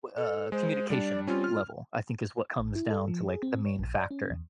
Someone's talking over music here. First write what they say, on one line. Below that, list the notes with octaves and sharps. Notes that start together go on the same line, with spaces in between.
w uh, communication level, I think, is what comes down to, like, the main factor.
A4
G#3 C5
G3 D4 D5
G3 C4 C#4 F4
F6
A1
E4
A4
F3
G#4
C4
C#5
A#1
D5
C#4
E2